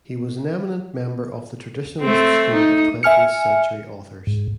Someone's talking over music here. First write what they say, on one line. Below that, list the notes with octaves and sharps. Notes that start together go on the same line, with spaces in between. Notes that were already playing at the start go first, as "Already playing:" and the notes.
He was an eminent member of the "Traditionalist School" of twentieth-century authors.
A3 C4
D#4
E5 G#5 F6 C#7
G#2